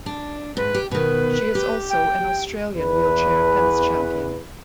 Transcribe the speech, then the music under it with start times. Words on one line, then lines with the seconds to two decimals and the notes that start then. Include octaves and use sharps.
She is also an Australian wheelchair tennis champion.
0.06 D4
0.57 G#2 B4
0.74 G4
0.91 B2 D#3 B4
1.55 G4
1.89 G5
2.75 E2 B4